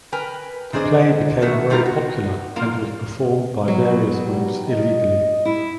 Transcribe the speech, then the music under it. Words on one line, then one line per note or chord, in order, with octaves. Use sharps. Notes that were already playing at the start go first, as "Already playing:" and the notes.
The play became very popular and was performed by various groups illegally.
A#4 B4 G5 G#5
D#3 C4 D4 G#4 C5 D#5
D#3 E3 A3 F#4
B2 G3 D#4 F4 G4 A#4
F#4
F2 A#3 F4 A#4
F#3 B3
G3
D#5
E4